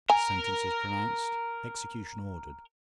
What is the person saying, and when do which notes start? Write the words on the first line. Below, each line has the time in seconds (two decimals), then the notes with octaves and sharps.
The sentence is pronounced--execution ordered.
0.10 A#4 G#5